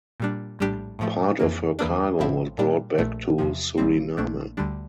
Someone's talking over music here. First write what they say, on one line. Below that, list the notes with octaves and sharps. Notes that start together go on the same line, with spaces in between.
Part of her cargo was brought back to Suriname.
A#2 G3 D4
A#1 A2 G3 D4 G4
A2 F3 A3
F2 E3 A#3
E2 E3 A#3 D4
A1 A2 F3 C4 E4
A#2 G3 D4
A#1 A#2 A3
E2 C3 F3
A#1 A#2 G3 C4
A#1 A#2 A3 D4
D2 D3 G3 D4